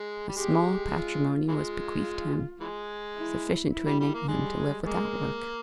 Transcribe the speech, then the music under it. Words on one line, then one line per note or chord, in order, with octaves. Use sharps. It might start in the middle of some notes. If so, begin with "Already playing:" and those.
A small patrimony was bequeathed him, sufficient to enable him to live without work.
Already playing: G#3
G3
G#3 G4
F4
E3 G#3 F4
E3 G#3
E4
E4
G3
G3
A#3
G3 G#3
G#3 A#3